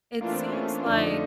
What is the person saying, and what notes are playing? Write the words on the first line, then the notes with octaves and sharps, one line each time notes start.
it seems like
E3 A3 A#3 D4 F4
C4
C#4
F2 D3 F3 D4
D#4
A3